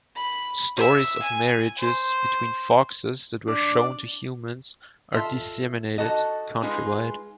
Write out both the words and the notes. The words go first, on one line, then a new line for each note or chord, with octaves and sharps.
Stories of marriages between foxes that were shown to humans are disseminated country-wide.
B5
E5
G#5
C5
D4
F4 A4 E5
D#4 F#4 A4 D#5
G#3 D#4 F4 G#4 B4